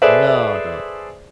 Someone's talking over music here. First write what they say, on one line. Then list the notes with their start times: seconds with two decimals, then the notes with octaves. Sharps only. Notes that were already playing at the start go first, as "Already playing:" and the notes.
No, no.
0.02 G#4 A4 B4 C5 D5 E5